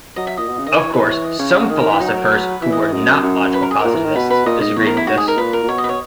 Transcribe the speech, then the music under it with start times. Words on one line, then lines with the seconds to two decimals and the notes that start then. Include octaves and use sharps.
Of course, some philosophers who were not logical positivists disagreed with this.
0.16 F#3 D#5
0.27 E5
0.37 A#2 D#5
0.49 B2
0.59 C#3
0.66 D#3 D#5
0.78 E3 C#5
0.94 E3 B4
1.09 C#5
1.24 D#5
1.39 C#3 C#5
1.50 E4
1.56 G#4
1.60 F#4
1.70 D#3 G#4
1.80 D#3 A#4
1.91 E3 E4
2.00 F#3 D#4
2.16 A#4
2.32 B4
2.62 E3 E5
2.72 D#5
2.82 D#5
2.92 F#2
3.23 F#2
3.54 B4
3.63 A#4
3.71 G#4
3.80 A#4
3.85 A#2
3.95 E3
4.05 D#3
4.16 B2 B4
4.30 B4
4.46 A#2 D#5
4.61 G#2 D#5
4.76 E2 C#5
4.87 A#4
4.97 E4
5.07 G#2 F#4
5.17 G#4
5.28 A#4
5.38 A#2 B4
5.53 A#4
5.63 A#2
5.68 B2 C#5
5.78 D#5
5.84 B4
5.89 C#5